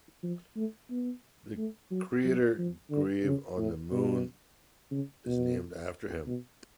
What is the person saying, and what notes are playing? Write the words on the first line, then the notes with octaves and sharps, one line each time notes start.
The crater Grave on the Moon is named after him.
F3
A3
B3
A3
F#3
F#3
F3
D3
C#3
A2
B2
C#3
B2
B2